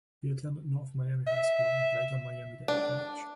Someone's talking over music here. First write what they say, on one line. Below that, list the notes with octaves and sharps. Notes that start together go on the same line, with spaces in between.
He attended North Miami High School, and later Miami Dade College.
E5
D4